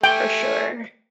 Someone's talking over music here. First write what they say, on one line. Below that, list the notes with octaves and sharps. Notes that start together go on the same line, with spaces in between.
for sure.
A3 G5 G#5